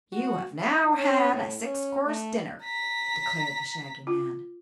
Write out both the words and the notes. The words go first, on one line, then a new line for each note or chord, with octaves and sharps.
"You have now had a six course dinner," declared the Shaggy Man.
F#4
E4
C#4
A2
C#4
A3
A#5 B6
F4